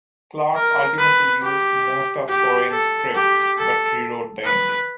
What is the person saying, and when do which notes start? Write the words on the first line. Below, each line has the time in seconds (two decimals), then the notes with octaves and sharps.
Clark ultimately used most of Korine's script, but rewrote the ending.
0.56 A#4
0.99 B4
1.43 G4
2.29 G4
2.72 A4
3.16 G4
3.58 A4
4.45 B4